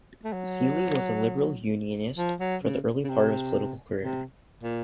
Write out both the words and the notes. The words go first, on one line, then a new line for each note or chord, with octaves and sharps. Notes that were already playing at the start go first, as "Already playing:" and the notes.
Seely was a Liberal Unionist for the early part of his political career.
A3
F#3
F3
F#3
C#3
C#3
C3
C3
A#2